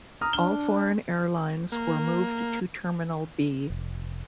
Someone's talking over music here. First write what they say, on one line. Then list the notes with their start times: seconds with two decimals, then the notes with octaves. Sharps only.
All foreign airlines were moved to Terminal B.
0.21 A#5 D#6 F6
0.33 D4 G7
1.72 A#3
3.70 F1